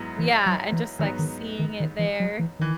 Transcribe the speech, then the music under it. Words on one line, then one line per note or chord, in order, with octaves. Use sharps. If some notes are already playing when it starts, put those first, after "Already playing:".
Yeah, and just like seeing it there.
Already playing: G#2 F#3 B3 E4
E3
F#3
E3
G#2 D#3 F#3 B3 D#4
D#3
D#3
D#3
E3
F#3
E3
D#3 E3